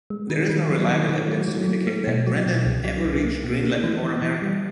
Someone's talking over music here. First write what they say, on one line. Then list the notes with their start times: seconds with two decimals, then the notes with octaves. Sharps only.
There is no reliable evidence to indicate that Brendan ever reached Greenland or America.
0.10 G#3
0.30 D#3
0.49 D#3
0.70 F#3
0.89 D#3
1.09 D#3
1.29 F#3
1.48 F#3
1.67 F#3
1.87 A3
2.07 B2
2.27 F#3
2.47 B2
2.66 C2
2.85 F#3
3.05 C2
3.24 A#3
3.44 B2
3.64 A#3
3.84 E3
4.03 E3
4.22 E3
4.42 G3